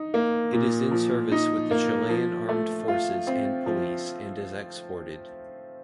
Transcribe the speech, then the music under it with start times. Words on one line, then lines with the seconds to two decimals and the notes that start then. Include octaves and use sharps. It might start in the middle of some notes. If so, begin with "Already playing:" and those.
It is in service with the Chilean armed forces and police and is exported.
Already playing: D#4
0.14 A#3
0.53 A#2
0.91 F3
1.32 D#4
1.71 A#3
2.09 F3
2.49 A3
2.88 F4
3.27 C4
3.66 F3